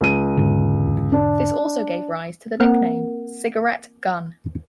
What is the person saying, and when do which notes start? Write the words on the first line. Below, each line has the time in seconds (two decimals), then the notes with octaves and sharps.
This also gave rise to the nickname, "cigarette gun".
0.01 C#2 D#7
0.37 E1 G#2 D3
1.12 D4
2.60 A#3 C4 A#4 F#5